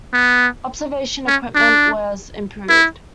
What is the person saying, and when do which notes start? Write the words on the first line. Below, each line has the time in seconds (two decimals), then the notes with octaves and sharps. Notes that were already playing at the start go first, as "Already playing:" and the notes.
Observation equipment was improved.
0.13 B3
1.27 C#4
1.55 D4
2.69 E4